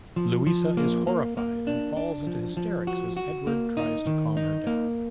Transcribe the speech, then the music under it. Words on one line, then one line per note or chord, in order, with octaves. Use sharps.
Louisa is horrified and falls into hysterics as Edward tries to calm her down.
F3
F3
A#3
A#3
A#3
D4
D4
F3
F3
F#4
F#4
A#3
D#4
D#3
D#4
A#3